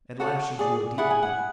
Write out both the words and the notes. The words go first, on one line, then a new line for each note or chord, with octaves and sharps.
At last she drew a deep breath.
F#4 A4 D5 F#5
G#4 D5
E4 G#4 D5 F#5
G#5
F#5